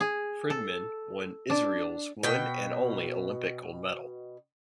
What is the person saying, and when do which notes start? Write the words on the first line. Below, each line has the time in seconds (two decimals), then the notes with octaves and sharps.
Fridman won Israel's one and only Olympic Gold Medal.
0.01 G#4
0.50 A4
1.50 D4
2.23 B2 G5